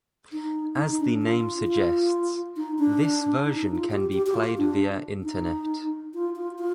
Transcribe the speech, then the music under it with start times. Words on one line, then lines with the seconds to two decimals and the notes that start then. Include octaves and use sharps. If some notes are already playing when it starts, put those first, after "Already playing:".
As the name suggests, this version can be played via Internet.
0.32 D#4
0.76 D#4
1.00 D4
1.22 F4
1.67 F4
2.56 D#4
2.79 D4
3.45 D#4
3.61 D#4
3.76 F4
3.91 G4
4.12 G4
4.26 G4
4.34 F4
4.58 D4
5.24 D#4
6.14 F4
6.36 F4
6.59 F4